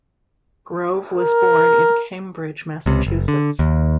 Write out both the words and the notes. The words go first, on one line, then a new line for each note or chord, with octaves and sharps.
Grove was born in Cambridge, Massachusetts.
A#4
C#2 C3
F#1
D3
D#2